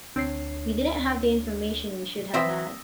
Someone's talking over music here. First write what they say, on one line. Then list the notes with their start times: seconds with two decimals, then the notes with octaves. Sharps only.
We didn't have the information we should have had.
0.16 D2 C4 D4 C#5 C7
2.34 E3 C4 F4 C5 E5 D#6 E6 A#6